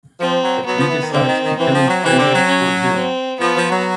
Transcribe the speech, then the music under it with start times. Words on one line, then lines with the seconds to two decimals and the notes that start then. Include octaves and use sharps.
But he decides to demonstrate it on him.
0.20 F3 C4
0.43 F#3
0.66 F#3 B3
0.78 F3
0.89 E3
1.00 D#3
1.12 D3 C4
1.27 D#3
1.43 D#3
1.57 E3 C4
1.73 F3
1.88 F#3
2.03 E3 C4
2.18 D3
2.34 F#3
2.49 C#4
2.95 C4
3.40 F3 B3
3.55 F3
3.70 F#3